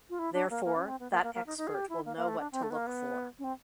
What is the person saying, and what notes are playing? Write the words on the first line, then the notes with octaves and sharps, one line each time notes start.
Therefore, that expert will know what to look for.
F4
E4
D4
A#3
A#3
C#4
C4
B3
A#3
A#3
A#3
D#4
D#4
G#4
G4
E4
A#3
A#3
A3
D4
C4
A3
B3
A#3
B3
C#4
C4